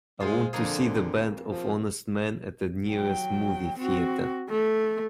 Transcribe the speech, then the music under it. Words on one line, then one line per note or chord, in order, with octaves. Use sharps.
I want to see The Band of Honest Men at the nearest movie theatre.
G#3 F4 G#4 C5
F2 D3 A#3 G#4
F3
F#3 G5
C4 F#4
A3